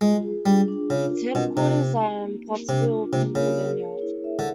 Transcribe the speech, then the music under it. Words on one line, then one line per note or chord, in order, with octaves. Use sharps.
Its headquarters are in Pottsville, Pennsylvania.
G#3 F4
G#4
G3 D4
D4
C#3 F4
A#4
B2 C4
C3 C4
D#4
G4
A#3
A#4
C3 D4
F4
C3 A#3
C#3 A#4
G#4
C#5
E4
E5
D3